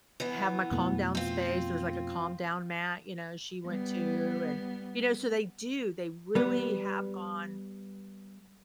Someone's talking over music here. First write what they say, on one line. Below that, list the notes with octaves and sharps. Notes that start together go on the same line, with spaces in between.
have my calm down space." There's like a calm down mat, you know, she went to. And, you know, so they do, they really have gone
E3 B3
F2 B2 A3
C4 F4
G3 B3
G3 B3